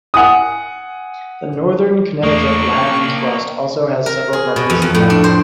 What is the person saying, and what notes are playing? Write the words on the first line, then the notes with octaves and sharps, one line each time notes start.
The Northern Connecticut Land Trust also has several properties in town.
F#5 G#5 D#6
E2 A3 A#3 D4 C#6 D#6
G5
A#4
G#4
B2
F2
F2
A2
D4
C5